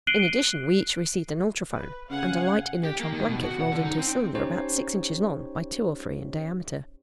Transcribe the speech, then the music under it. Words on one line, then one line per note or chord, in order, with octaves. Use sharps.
In addition, we each received an ultrophone, and a light inertron blanket rolled into a cylinder about six inches long by two or three in diameter.
F#6 C7 D7 D#7 F#7 G7
B4
C#3 F5 F#5 G#5
G4
A#3
D#3
B2
F#4
F#5
D3
D#4
C4
C#4 D#4 G4 C5 C#5